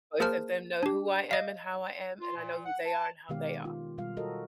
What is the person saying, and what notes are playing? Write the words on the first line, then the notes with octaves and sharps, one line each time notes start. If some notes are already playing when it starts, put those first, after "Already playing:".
Both of them know who I am and how I am, and I know who they are and how they are.
A#3 G#4 A#4 C5 A5 F6
D4 G4
D#5 F5
F4
A#2
F#5
A5
B2 D#3 G#3 B3 G4 F5
F4
B2 G3 F4 F5
F#4 A4 A#4 D#5